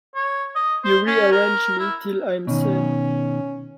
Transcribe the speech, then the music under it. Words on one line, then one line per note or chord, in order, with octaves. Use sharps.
You re-arrange me 'till I'm sane.
C#5
D#5
C5
C#4
A#4
E4
B2 D#3 C#4